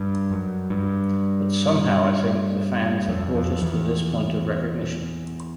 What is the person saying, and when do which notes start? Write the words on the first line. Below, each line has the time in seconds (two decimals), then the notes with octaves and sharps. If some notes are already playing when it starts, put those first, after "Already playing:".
But somehow, I think, the fans have brought us to this point of recognition.
Already playing: G2
0.31 F#2
0.70 G2
3.08 F2
3.35 F2
3.62 E2